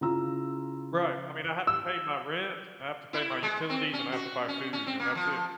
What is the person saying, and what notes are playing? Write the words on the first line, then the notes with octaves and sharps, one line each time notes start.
Right, I mean, I have to pay my rent, I have to pay my utilities, and I have to buy food, and that's it.
C#3 E4 F4 A#5 E6
E6
E4
G#3
C4
C#4
F#4
C#4
C#4
C4
A#3
F3